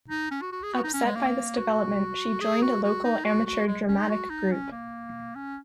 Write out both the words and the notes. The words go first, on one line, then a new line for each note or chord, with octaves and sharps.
Upset by this development, she joined a local amateur dramatic group.
D#4
C#4
F#4
F#4
G#4
F#4
D#4
C#4
G#3
A#3
F#4
G#4
F#4
F#4
D#4
F#4
F#4
G#3
C#4
D#4
F#4
D#4
C#4
A#3
C#4